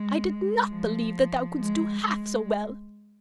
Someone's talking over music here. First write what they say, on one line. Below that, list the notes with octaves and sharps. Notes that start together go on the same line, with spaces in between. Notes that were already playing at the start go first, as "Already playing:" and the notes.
I did not believe that thou couldst do half so well.
Already playing: G#3
F3
G#3
G#3